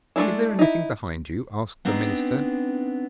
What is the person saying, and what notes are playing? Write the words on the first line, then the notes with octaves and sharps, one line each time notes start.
'Is there anything behind you?' asked the minister.
G#3 A3 B3 D4 E4
D#4 E4
B3 C4 D4 D#4